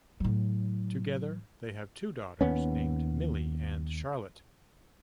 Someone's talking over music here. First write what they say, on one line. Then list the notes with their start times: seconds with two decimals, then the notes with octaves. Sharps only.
Together, they have two daughters named Millie and Charlotte.
0.20 A2 F#3
2.41 D#2 B3 C#4